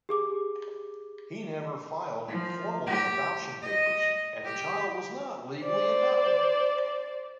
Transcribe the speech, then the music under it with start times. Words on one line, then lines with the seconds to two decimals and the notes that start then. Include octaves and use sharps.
He never filed formal adoption papers and the child was not legally adopted.
0.09 G4 G#4 D6
2.27 F3
2.86 G4
3.62 D#5
4.44 G4
5.61 C5 D5